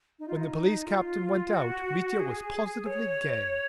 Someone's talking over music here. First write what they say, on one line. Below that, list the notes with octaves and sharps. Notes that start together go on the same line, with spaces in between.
When the police captain went out, Mitya was positively gay.
D#4
F4
D#4
F4
F#4
G#4
C#5